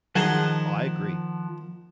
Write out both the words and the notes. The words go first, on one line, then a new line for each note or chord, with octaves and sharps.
Oh, I agree.
D#3 F3 F#3 D#4 G#4 F#5 A5 G#6